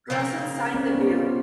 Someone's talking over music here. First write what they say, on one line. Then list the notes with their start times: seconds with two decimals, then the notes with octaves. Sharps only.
Russell signed the bill.
0.10 C#3 F3 A#3
0.74 C4 C#4 D5
0.95 B3 D#4
1.10 F4